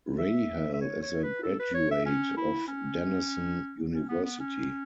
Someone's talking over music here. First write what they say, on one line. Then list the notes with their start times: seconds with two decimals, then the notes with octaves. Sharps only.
Rahal is a graduate of Denison University.
0.19 E5
0.74 E5
0.81 C#5
1.02 C#5
1.23 B4
1.43 A4
1.59 B4
1.74 C#5
1.91 E5
2.06 C#4
2.37 E4
2.68 C#4
3.93 C#4
4.09 B3
4.24 B3
4.40 C#4